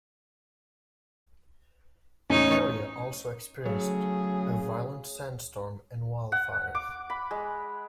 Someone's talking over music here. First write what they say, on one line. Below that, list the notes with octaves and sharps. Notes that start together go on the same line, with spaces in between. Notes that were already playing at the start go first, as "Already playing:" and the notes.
The area also experienced a violent sand storm and wildfires.
E2 A2 C#4 D#4 C#5
C#3 F#3 A3 G#4
F#5
D6
B5
G#3